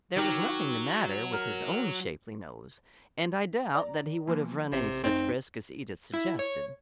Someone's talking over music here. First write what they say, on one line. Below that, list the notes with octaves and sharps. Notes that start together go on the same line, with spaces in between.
There was nothing the matter with his own shapely nose, and I doubt that he would have run any such risk as Edith suggested.
D#3 F#3 G4 D6
A#4
D5 A#5
E3 F3 A#3
A1 C3
F#2 A3 C4 D#4
E4
C#5